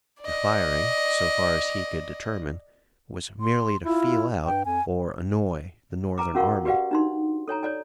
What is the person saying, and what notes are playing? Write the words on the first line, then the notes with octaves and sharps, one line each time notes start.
The firing, so far as he could determine, was merely to feel out or annoy the Northern army.
D5 D#5
C6
E4 F4
G2 G5
F2 G#5
B4 G#5 A#5 D6
C#4 F#4 A#4 F5 F#5 C#6
F#4 G4 B4 D5 F5 F#5
D4 D#4 C6
A4 C#5 G#5 A#5
C#5 D5 G#5